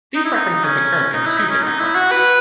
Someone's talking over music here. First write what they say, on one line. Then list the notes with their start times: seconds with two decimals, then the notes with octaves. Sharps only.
These references occur in two different works.
0.15 D#4
0.25 E4
0.36 D#4
0.64 C#4
1.13 D#4
1.25 E4
1.38 D#4
1.49 C#4
1.62 D#4
1.79 E4
1.95 F#4
2.11 B4